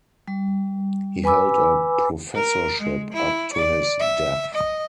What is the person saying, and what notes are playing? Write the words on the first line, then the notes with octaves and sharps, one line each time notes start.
He held a professorship up to his death.
G3
B4 G#5 B5 D6 E6
A#4
G#3
E4
D5
E5
D#5